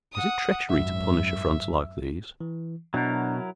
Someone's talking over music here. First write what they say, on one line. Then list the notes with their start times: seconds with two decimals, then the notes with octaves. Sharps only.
Is it treachery to punish affronts like these?
0.13 F#5 D#6
0.69 G#1 F#2 E5
2.41 E3
2.94 B2 F#3 D4 E4 A#4